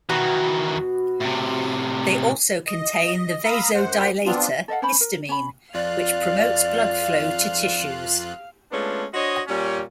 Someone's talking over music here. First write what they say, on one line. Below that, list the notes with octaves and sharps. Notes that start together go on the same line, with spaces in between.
They also contain the vasodilator histamine, which promotes blood flow to tissues.
B2 D#3 E3 F#4 F#5
A2 C3
D#5
F5 A#5 B5 D#6 E6
F#2 C5 F#5
B3 C4 D4 F4
A4 D#5 F5 F#5
C#4 C5 B5
A#4
C#4 B5
F2 F4 D5 F5 F#6
G#3 A3 B3 C#4 D4 F4
D4 F#4 C5 C#5 D#5
A#2 G3 C#4